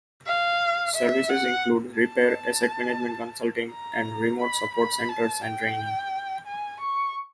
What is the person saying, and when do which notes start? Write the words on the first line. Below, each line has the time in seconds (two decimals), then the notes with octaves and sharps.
Services include repair, asset management consulting and remote support centers and training.
0.27 F5
0.95 E5
1.29 F#5
1.99 A5
3.72 A#5
4.40 B5
4.75 B5
5.09 A5
5.44 G5
6.46 G#5
6.81 C#6